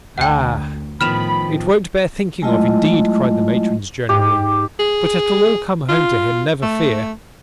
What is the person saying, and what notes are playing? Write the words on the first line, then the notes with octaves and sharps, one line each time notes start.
'Ah! it won't bear thinking of, indeed,' cried the matrons generally; 'but it'll all come home to him, never fear.'
D2 F#5 G5
A2 D#3 F3 B3 B5 F6 E7 F7
F#3 G#3 A3 E4 F4 D#5
G#2 G4
G#4
F4
A3